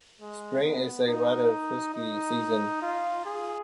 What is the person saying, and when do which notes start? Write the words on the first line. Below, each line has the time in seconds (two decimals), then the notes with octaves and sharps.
Spring is a rather frisky season.
0.21 G#3
0.64 B3
1.07 D#4
1.94 D#4
2.82 F4
3.26 G#4